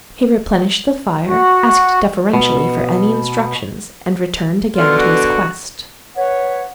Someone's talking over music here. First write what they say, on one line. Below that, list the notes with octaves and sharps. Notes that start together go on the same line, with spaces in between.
He replenished the fire, asked deferentially for any instructions and returned again to his quest.
F#4
B2
B2 D3 F4
F#4
B4 C#5 F#5